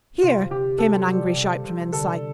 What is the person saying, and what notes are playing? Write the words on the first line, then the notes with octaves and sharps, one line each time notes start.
"Here!" came an angry shout from inside.
C3 F4
C3 G4
C4 A4
G3
C3
C3
D3 A4